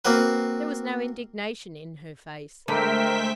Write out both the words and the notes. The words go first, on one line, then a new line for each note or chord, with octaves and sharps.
There was no indignation in her face.
A#3 C4 F#4 B4
D3 G#3 A3 A#4 C5 E5 G5 B6